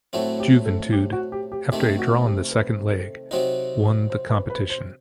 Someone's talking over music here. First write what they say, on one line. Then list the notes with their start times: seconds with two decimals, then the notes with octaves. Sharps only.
Juventude, after a draw in the second leg, won the competition.
0.13 A2 F#3 A3 C4 F#4
0.40 G4
0.66 A4
0.93 G4
1.13 F#4
1.32 G4
1.52 G4
1.72 C3 D#3 A3 C4 G4
1.99 F#4
2.25 G4
2.51 B4
2.91 A4
3.31 C3 F#3 C4 D#4
4.10 C5
4.30 B4
4.50 B4
4.70 C5